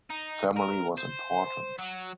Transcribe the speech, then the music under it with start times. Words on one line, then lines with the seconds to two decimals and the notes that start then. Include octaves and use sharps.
Family was important.
0.10 D#4
0.56 A#4
0.98 C5
1.79 F#3